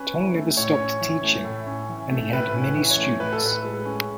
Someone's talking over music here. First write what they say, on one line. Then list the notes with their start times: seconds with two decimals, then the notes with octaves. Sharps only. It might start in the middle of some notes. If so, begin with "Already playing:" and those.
Tong never stopped teaching, and he had many students.
Already playing: C#4 B4
0.14 E3
0.35 A3
0.57 A2 C#5
0.80 C#4
1.01 E3
1.24 A3
1.44 A2
1.67 C#4
1.89 E3
2.10 A3
2.33 A2 B4
2.54 C#4
2.62 B4
2.76 E3
2.91 C#5
2.98 A3
3.19 A2 B4
3.33 A4
3.42 A2 B4
3.64 G#3
3.85 C#4